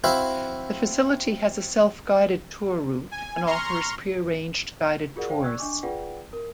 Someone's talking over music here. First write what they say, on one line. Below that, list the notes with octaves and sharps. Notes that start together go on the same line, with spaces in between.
The facility has a self-guided tour route and offers pre-arranged guided tours.
C4 E4 F#4 E5 F5
G#5
A#5 C6 C#6 F6
F4 F#4 G#4 A#4 D5 F#5
C5 D5 F5 G5
D5 C#6 E6 F#6 G#6
D4 D#5 G#5 C#6 D6
F4 G#4 B4 D5 F#5 G5
A#4